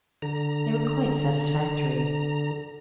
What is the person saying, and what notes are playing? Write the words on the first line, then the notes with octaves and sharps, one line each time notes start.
They were quite satisfactory.
D3 A#5